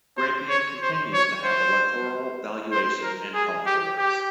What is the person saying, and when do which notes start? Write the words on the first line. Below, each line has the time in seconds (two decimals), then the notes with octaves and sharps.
Grampian continues to have electoral, valuation, and Health boards.
0.18 C5
0.49 C#5
0.82 C5
1.13 C#5
1.44 C5
2.72 C5
3.02 A#4
3.34 G#4
3.66 G4
3.98 G4